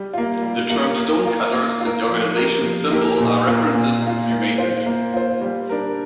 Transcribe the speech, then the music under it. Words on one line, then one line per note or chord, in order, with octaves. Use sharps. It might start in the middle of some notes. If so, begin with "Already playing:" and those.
The term "Stonecutters" and the organization's symbol are references to Freemasonry.
Already playing: G3
A#3 F4
G3
A#3 F4
A#3
F4 A#4
A#3
F4
A#4
F3
A#3 G4 A#4
F3
A#3 G4 A#4
A#2
A#3 F4
A#2
A#3 F4
A#3
F4 C5
A#3
F4 C5
G3
D4 A#4